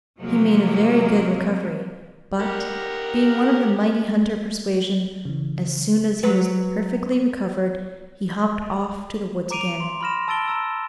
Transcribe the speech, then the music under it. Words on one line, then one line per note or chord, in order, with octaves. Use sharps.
He made a very good recovery; but, being one of the mighty-hunter persuasion, as soon as he was perfectly recovered, he hopped off to the woods again.
C3 F3 F#3 G#3 A#3
G4 A#4 F#5
C#3 E3
F#3 B4
A#5 D6 D7 D#7 F7
C6
B5 C6 F6 A#6 E7
A5 E6 A6 D7 G7
A#5 E6